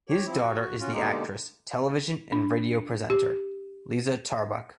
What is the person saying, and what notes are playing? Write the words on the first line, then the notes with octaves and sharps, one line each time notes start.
His daughter is the actress, television and radio presenter, Liza Tarbuck.
G4 C#5
F3 C4 E4
F#4
C#4 F4 F#4
B2 D3 G#3 A#3 D#4 G4
D4
G4